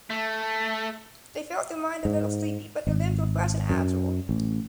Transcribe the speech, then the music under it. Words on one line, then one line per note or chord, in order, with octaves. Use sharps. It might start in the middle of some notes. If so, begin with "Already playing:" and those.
They felt their mind a little sleepy, but their limbs were fresh and agile.
A3
G#2
G#1
F#2
A1